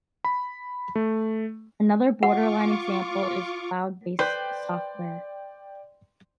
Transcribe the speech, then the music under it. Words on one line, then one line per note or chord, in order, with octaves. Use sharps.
Another borderline example is cloud based software.
B5
A3
F4 F#5 C#6 D6
B4 C5 D5 G5